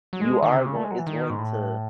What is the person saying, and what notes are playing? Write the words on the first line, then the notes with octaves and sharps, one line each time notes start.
you are goin it's going to,
F#3
G#3
D#3
C#3
C3
C#3
A3
G#3
F#3
E3
D#3
G#2
A2